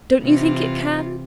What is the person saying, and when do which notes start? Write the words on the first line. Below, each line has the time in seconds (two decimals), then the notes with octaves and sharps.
Don't you think it can?'
0.22 C3 E3 F4